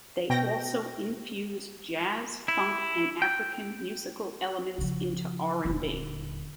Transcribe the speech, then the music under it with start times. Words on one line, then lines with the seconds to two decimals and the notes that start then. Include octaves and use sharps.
They also infuse jazz, funk, and African musical elements into R and B.
0.30 B2 G5 A#6
2.48 E4
3.22 G5
4.78 C#3 F3
5.65 D#1 D3